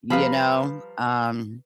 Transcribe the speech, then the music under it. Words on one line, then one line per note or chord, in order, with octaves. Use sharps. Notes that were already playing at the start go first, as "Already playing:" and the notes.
you know, um,
F3 G3 B4 F5 A#5 B5